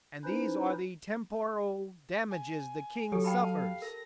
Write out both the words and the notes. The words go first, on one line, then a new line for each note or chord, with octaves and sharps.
And these are the Temporal Dammages the King suffers.
C#4 D#4 E4 B4 C5
G#5
F#3 G4 A4
F5 G5 A5 B5
A5
A#4 A#6